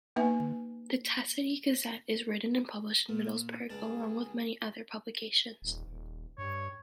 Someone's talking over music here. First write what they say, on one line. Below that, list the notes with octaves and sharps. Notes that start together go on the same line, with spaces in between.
The Teesside Gazette is written and published in Middlesbrough, along with many other publications.
A#3 B3 D#4 B4 E5 G#5
A#2
C#2 D4 G#4 A5
D#1
D#1
G2 C#5